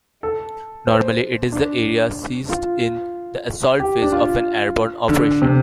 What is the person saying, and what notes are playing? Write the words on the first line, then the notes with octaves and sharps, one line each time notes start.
Normally it is the area seized in the assault phase of an airborne operation.
A4
C5
D4
F4
G4
D4
F4
D3
C3